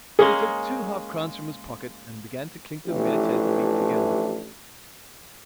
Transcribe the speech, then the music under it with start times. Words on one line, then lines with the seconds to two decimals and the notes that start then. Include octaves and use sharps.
He took two half-crowns from his pocket, and began to clink them meditatively together.
0.19 G#3 A#3 C#4 G#4
2.87 A1 E3 F3 A3 D4 G4